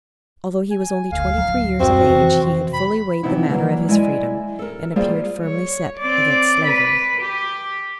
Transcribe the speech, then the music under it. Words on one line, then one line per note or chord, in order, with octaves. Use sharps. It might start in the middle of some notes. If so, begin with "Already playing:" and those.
Although he was only twenty-three years of age, he had fully weighed the matter of his freedom, and appeared firmly set against Slavery.
G#5
F#1 D2 F5
D1 B1 F#3
F#2 A#2 C4 F#4
F2 C3 E3
B5
C3 E3 B3 D#4 E4 F#4
E3 F#3 G3 A#3
G#3 E4 D5 E5 G5 G#5
A4 A#4
G3 A#3 F4 G#4 C5 F5
C#5
C4 D5
B4
G4